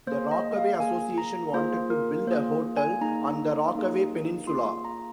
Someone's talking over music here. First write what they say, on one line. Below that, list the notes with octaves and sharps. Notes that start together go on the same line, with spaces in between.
The Rockaway Association wanted to build a hotel on the Rockaway peninsula.
A#3 G#4 C5
D#5
F5
A#3 G#4 G#5
A#5
A#3 F4 G#4 C5
A#4
A#3 F4 G#4 C5
G#5
A#3 D#4 G#4 A#5
A#3 D#4 G#4
A#3 F4 G#4 C6
A#5